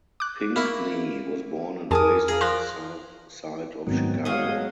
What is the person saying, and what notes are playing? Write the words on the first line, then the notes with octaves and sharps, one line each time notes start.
Pinkney was born and raised on the South Side of Chicago.
D6 F#6
A#3 E4 F5 B5 C#6
F2 G#4 A#4 A5 D6 D#6
G#4 D5 F5 A#5
F3 C6 F#6 A#6
G#2 D#3 F#3 A3 B3 C4
F#3 G#3 F5 D#6